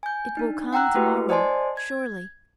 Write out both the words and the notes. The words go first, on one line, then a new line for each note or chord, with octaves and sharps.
"It will come to-morrow, surely."
G#5 G6
D4 D#4
F#5 G5 A#5 E6 F#6
A3 E4 F#4 G4 B4
C5 D5 D#5 G#5 A5 C6
G#6